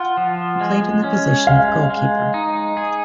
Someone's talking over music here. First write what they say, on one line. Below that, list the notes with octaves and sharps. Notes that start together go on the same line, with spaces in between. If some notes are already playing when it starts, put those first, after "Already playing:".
He played in the position of goalkeeper.
Already playing: F4 F#5
F3
G#3
C#4
G#3 F5
G#3
D#4
G#4